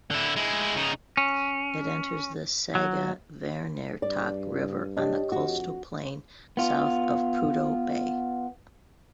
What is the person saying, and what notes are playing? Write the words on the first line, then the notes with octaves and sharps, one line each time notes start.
It enters the Sagavanirktok River on the coastal plain south of Prudhoe Bay.
D3 E4
G#3 E4
C#3 D#4
C#4
F#3
G2 D5
D4 G4 C#5 D#5
F2 F#4
B3 F4